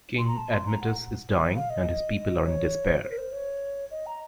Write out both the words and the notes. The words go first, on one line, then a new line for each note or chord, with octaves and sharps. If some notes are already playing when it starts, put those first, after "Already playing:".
King Admetus is dying, and his people are in despair.
C6
A#5
A5
C6
A#5
F#5
F5
D#5
C5
C#5
C5
A#4
C5
C#5
D#5
A#5